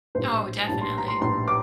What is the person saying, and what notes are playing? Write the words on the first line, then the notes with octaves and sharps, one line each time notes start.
Oh, definitely.
A#1 A2 G3 C5
A#1 A2 G3 A5
C6
A#5
C6
A#1 A2 G3 C6
D6